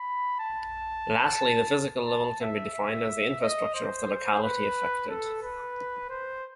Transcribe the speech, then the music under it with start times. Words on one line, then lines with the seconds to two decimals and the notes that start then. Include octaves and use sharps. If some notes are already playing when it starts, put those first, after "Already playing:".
Lastly, the physical level can be defined as the infrastructure of the locality affected.
Already playing: B5
0.40 A5
2.07 A5
2.41 E5
2.74 E5
3.41 D#5
3.75 C5
4.42 B4
5.09 A4
5.42 B4
6.10 C5